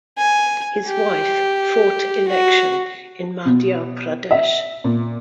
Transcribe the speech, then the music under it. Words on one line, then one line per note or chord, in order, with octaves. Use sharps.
His wife fought Election in Madhya Pradesh.
G#5
G4
F#4
B2
E5
A#2